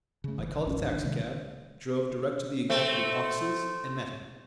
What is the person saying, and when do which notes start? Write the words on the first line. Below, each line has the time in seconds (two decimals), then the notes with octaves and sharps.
I called a taxicab, drove direct to the executive offices and met him.
0.24 C#3 A3
0.38 G1 E3
0.65 G1 C2 G#2 C#4
0.83 G1 C2 D#3 D4
1.05 C3 D#3 G#3
2.70 A3 C4